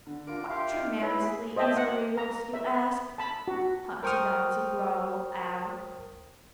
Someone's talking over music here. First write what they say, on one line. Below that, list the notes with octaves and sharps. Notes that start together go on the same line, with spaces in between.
'What tremendously easy riddles you ask!' Humpty Dumpty growled out.
D3
D4 F4 A#4 D6
G4 E5 F5 C6
D#4
E4 B4 C#5
G#4
C5 D#5 E5 G5 A5
F#5
A#5
E5
A5 B5
F#4
A#4 C5 G5 C#6 D#6 F6